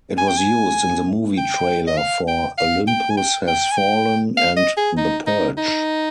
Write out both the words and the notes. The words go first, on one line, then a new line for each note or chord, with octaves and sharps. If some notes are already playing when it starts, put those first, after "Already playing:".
It was used in the movie trailer for "Olympus Has Fallen" and "The Purge".
G#5
G5
G#5
G5
D#5
F5
G5
F5
G5
G#5
G5
G5
G#5
G5
F5
D#5
G#4
D#4
D#4
D#4